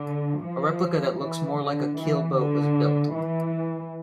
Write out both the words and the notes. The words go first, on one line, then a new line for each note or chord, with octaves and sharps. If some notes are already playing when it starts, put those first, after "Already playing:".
A replica that looks more like a keel boat was built.
Already playing: D3
F3
E3
D3
E3
D3
E3